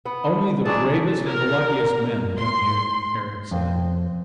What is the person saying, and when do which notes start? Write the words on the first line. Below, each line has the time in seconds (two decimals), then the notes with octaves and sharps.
"Only the bravest and the luckiest men come here," Eric said.
0.06 B3
0.66 F#3 G#3 D4 G#4 A5
1.28 A#4
2.39 C6
3.51 F2 C4